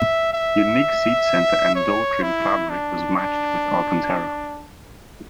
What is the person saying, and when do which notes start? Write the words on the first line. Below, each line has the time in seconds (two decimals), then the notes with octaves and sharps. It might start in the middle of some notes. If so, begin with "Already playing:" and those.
Unique seat center and door trim fabric was matched with Alcantara.
Already playing: E5
0.33 E5
1.75 C#5
2.23 E4
2.70 D4
3.16 D4